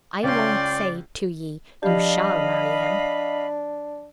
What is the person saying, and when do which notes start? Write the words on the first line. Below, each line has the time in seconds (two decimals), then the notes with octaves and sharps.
I won't say to ye, you SHALL marry him.
0.24 C#2 C#4 D5 G5 C6
1.83 F3 D4 G4 D#5 F5 B5